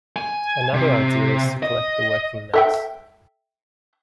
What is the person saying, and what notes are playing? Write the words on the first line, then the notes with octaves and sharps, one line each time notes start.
Another idea is to collect the working mass.
G#5
C3
D#5
A4 E5 G5